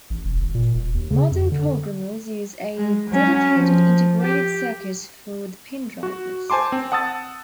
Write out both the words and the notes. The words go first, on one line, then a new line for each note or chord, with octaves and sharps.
Modern programmers use a dedicated integrated circuit for the pin drivers.
A1
E1
G#1
A#2
D#1
D#2
C#3
F2
D3
G#3
F#3 C#4
F3
G4
F#4
C5 G#5 A5 C6 D6
C4
F#5 A5 D#6 E6 A6